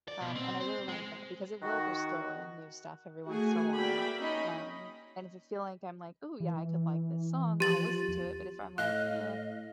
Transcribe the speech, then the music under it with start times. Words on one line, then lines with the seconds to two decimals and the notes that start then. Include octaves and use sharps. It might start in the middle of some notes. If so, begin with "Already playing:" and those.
um, and I really like that because it will just throw in new stuff every once in a while. Um, and if I feel like I'm like, "Ooh, yeah. I could like this song." I'll listen to it, but if I'm like, "Eh,"
0.08 D5
0.21 B2
0.36 C4
0.61 C5
0.89 G#3
1.62 D#3 F#4
3.28 A3 F#4 G#4 G#5
3.77 A#3 F#4 D5 E5 G5 B5
4.19 C#4 D#4 D#5 B5
6.40 E3
7.60 F3 G4 A6 F#7
8.08 E2
8.78 A2 D#5 F5 F#6